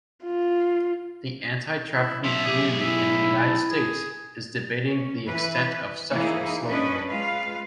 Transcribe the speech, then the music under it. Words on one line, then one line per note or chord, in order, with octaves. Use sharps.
The anti-trafficking community in the United States is debating the extent of sexual slavery.
F4
E4
B1 F3 E5
B1 G4 G#4
E4 E5
A5
G#4
C#4
E3 B4
E3 A#3 D#4 E4 G#4
C#4 D4 B4 D#5
G#3 F4 B4 F5